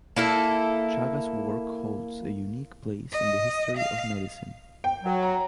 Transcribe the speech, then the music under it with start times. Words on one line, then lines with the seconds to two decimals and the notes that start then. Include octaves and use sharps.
Chagas' work holds a unique place in the history of medicine.
0.16 A#3 E4 A4
3.12 D#5
3.77 F5
4.84 G5
5.04 F#3
5.23 A#5